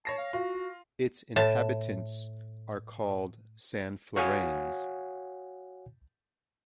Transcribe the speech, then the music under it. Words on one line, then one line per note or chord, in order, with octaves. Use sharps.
Its inhabitants are called "Sanflorains".
C#5 A5 A#6 C7
F5
F4 F#4
A2 A5
F#4 C#5 F5 F#5 G#5 D#6